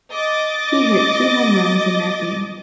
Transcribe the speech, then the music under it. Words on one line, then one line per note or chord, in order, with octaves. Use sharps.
He hit two home runs in that game.
D#5 D6 A6